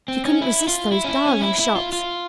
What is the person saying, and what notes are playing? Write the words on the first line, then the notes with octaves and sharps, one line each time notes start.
She couldn't resist those darling shops.
C4
C#4
E4
F4
E4
C#4
E4
C#4
E4
E4
F4
F4